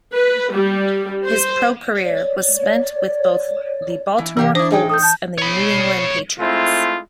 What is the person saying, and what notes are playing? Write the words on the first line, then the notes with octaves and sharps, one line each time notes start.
His pro-career was spent with both the Baltimore Colts and the New England Patriots.
B4
G3
C5
C#5 D5
E3
C3 E3 G4 A#4
D4 E4 C5 D#6
A2 D#4 G#4 G5
A4 D#6 G6
A5 G6
C#5 B5
G#3 A3 C4 E4 F4